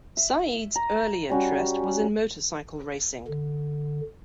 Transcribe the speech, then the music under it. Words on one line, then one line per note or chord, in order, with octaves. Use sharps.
Said's early interest was in motorcycle racing.
E5
A#5
G3 C#4 F#4
D3